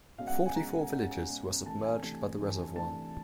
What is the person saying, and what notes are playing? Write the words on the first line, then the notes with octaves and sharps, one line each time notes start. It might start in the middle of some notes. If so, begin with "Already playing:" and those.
Forty-four villages were submerged by the reservoir.
B2 G#3 C#4 F5
F#5
G#5
B2 G#3 C#4 A#5
B2 G#3 C#4
B2 G#3 C#4
C3 E3 A3 D4 A5
G#5
C3 E3 A3 D4
C3 E3 A3 D4
C3 E3 A3 D4 A5